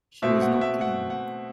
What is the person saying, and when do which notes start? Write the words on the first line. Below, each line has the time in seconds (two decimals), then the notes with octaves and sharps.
She was not kidding me.
0.22 B2 A3 C4 E5
0.42 F#5
0.61 E5
0.81 F#5
1.10 F#5